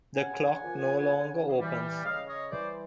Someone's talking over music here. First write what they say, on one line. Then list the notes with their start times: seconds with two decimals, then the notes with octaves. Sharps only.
The clock no longer opens.
0.15 C#3 F#5 G#5
0.63 F3 A#3
1.10 C#3
1.57 E3 G3
2.04 C#3 D#5 F5
2.28 C#5 D#5
2.51 E3 G3 C5 D5